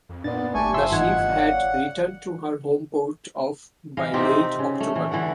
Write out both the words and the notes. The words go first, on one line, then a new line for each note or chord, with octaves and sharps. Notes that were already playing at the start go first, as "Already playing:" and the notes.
The ship had returned to her home port of by late October.
F2
A#2 B3 D4 D5 A6
G1 A3 G4 G#5 A5 C#6
F3 E5 C6 E6
G#2 E3 F4 D#5 F#5 G#6
C#5 D5 F5
E3 D#5 F5
C3 C4 D#4 G4
C#3
A3
E3
D3 E3 A4 F#5